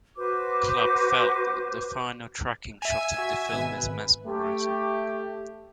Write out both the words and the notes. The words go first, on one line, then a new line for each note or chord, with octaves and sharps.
Club felt that the final tracking shot of the film is mesmerizing.
F#4 B4 C5 D6
E5 G#5
F#4
G#1 B2 B4
G#1 B4
A3 G4